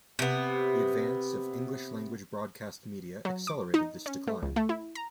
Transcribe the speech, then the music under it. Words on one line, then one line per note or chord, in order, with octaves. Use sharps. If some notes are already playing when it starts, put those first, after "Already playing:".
The advance of English-language broadcast media accelerated this decline.
C3 B3
F#3
D6
D#4
C#4
A3
C#2
A3
E4
A#5